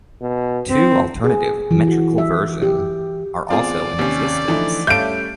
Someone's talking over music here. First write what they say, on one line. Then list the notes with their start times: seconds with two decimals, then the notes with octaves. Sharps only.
Two alternative metrical version are also in existence.
0.22 B2
0.69 C4
1.24 G#4
1.71 E3
1.88 F#4
2.18 E5
2.62 G4
3.50 E2 C4 F4 G#4 D5
3.99 D#2 C3 C#4
4.48 D3 E3 F3 A3 D#4
4.87 G3 A3 C#4 E5 F5 A5 G6 D7